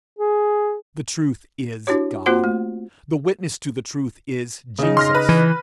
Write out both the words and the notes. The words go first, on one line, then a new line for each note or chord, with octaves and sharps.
The truth is God; the witness to the truth is Jesus.
G#4
D4 E4 F#4 G4 C#5
A#3 C4 F4 F#4 C5 F#5
A3
C#3 D#4
C6 F6 A#6
B4
E3